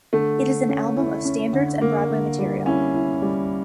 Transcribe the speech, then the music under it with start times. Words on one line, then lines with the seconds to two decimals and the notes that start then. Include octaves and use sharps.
It is an album of standards and Broadway material.
0.13 D3 A3
0.41 D3
0.69 C#4
0.97 E4
1.25 C#4
1.53 D3
1.81 D3 A#3
2.10 D3
2.39 G3
2.66 C#4 E4
2.94 E4
3.22 G3